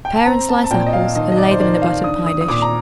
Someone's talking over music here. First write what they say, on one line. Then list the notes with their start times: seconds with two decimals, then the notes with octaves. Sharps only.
Pare and slice apples and lay them in a buttered pie-dish.
0.05 G5
0.16 A5
0.25 C4 A#5
0.49 A5
0.64 A5
0.71 A#2 G5
0.86 D#5
0.93 F5
1.16 D#3 D#5
1.32 D#5
1.37 D5
1.51 C5
1.60 D#3 D5
1.82 F5
2.04 D4 D#6
2.26 D#6
2.41 D#6
2.48 A#2 D6
2.62 A#5